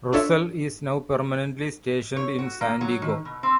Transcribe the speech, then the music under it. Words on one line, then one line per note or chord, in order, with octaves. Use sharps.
"Russell" is now permanently stationed in San Diego.
D4 F4 A4 C#5 D5 E5
C#5
F#4
A#3
F#3
D#3
B2
C4